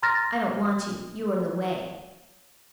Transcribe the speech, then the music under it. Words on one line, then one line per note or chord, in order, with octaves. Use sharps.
"I don't want you, you are in the way."
A#5 C6 F6 A6 A#6